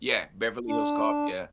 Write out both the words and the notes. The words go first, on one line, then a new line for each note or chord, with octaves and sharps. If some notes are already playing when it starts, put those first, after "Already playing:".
Yeah, Beverly Hills Cop, yeah.
D4